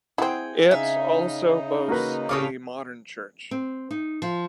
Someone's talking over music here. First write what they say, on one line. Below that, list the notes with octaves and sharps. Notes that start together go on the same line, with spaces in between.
It also boasts a modern church.
C4 E4 G#4 F#5 G5
C#3 D#4 E5 F5 G#5
A#3 F#4 B4
A2 C#3 C#5 F5 D6 D#6
C4
D#4
F3